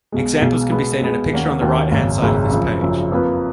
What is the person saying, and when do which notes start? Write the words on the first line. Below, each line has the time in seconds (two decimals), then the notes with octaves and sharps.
Examples can be seen in a picture on the right-hand side of this page.
0.12 B1 B2 G#3
0.42 B1 B2 G#3
0.71 B2 G#3 B3
1.02 B2 G#3 B3
1.31 D#2 D#3 A#3 C#4 F#4
1.61 D#2 D#3 A#3 C#4 F#4
1.92 G#1 F#2 C#3 G#3
2.22 G#1 F#2 C#3 G#3
2.51 F#1 F#2 C#3 F3
2.81 F#1 F#2 C#3 F3
3.11 F2 F3 A#3 F4 B4